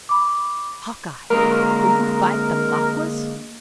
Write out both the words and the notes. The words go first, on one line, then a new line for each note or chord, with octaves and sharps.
"Hawkeye! will you fight the Maquas?"
B5 D6
D3 G#3 A#3 A#4